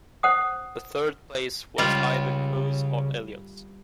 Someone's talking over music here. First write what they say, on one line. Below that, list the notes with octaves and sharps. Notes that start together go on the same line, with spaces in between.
The third place was either Coe's or Elliott's.
C5 F#5 D#6
C#3 G3 C#4 F4 D#5